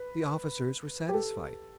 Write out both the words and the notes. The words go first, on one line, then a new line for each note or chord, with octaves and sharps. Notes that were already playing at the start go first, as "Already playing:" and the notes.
The officers were satisfied.
Already playing: B4
G4
A4